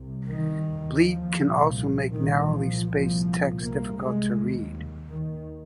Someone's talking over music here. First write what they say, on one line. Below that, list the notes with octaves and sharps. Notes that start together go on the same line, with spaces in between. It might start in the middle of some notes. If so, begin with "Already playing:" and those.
Bleed can also make narrowly spaced text difficult to read.
Already playing: C2 C3
D#3
D#2
F3
C2 A#2
C2 A#2 D#3
F3
C2 A#2 F3
C2 C3 A#3
G#3
D#2
D#2 D#3